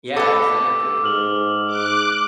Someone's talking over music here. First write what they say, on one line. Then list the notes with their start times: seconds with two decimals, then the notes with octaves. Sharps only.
Yeah, exactly.
0.16 A4 B4 D6 E6
1.04 G#2 F6 F#7
1.67 D6 F#6